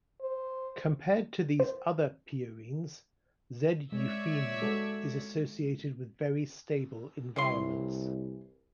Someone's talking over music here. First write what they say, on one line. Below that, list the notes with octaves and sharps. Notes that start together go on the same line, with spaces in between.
Compared to these other pierines, "Z. eupheme" is associated with very stable environments.
C5
C5
G#3 C#5 D5 E5
G#3 F#4 A4
C2 E3 C#5 C6